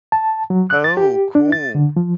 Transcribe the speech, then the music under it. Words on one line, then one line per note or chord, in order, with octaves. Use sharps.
Oh, cool.
A5
F#3
F#6
A6
G4
D4
A6
D3
F3